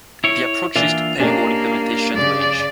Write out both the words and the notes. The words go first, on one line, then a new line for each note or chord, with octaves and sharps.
The approaches to paywall implementation range.
E4 C#5
E3 A#3 D4 F4 E5
A#3 C#4 D4 G4 D#5
C#3 D5